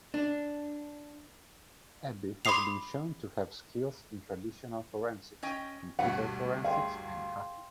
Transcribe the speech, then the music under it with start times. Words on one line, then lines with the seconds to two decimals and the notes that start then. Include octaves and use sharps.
Abby has been shown to have skills in traditional forensics, computer forensics, and hacking.
0.14 D4
2.45 B5 C6 D6 D#6 C7 F7
5.43 C#4 D#5 G5
5.99 D2 G2 B2 B4 F#5
6.64 G#4 F5 G5 C6